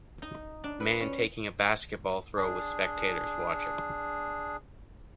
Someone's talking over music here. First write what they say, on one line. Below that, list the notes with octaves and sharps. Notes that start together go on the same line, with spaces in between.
Man taking a basketball throw with spectators watching.
D#4
D4
B4
C#4
D4 G#4